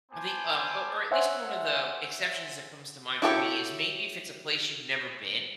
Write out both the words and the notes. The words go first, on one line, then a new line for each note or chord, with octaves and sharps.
the uh, o or at least one of the exceptions that comes to mind for me is maybe if it's a place you've never been
B3 C5 G#5 A5 D6
C5 C#5 E5 F#5 G#5 C6
E4 F#4 G4 A4 C#5